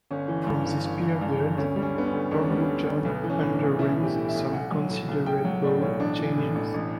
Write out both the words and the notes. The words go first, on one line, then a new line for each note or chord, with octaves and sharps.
From this period Pambujan underwent some considerable changes.
G1 C#4
E3
G2
G1
G1
E3
G2
G1
D2 C#4
G3
C#4
D3 B3
C#4
D2
D2 D4
C#4
G3 B3
C#4
D3
D2
B1 B3
E3
C#4
A2
D4
B1
B1 E4
E3
G4
A2
E5
B1
B1 F#5
F#3
A2
B1
B1 G5
F#3 F#5
A2 D5
B1 C#5
A1 D4
E3
A2
A1
A1